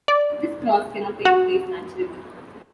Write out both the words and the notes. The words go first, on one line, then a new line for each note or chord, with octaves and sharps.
This cross cannot take place naturally.
D5
F#4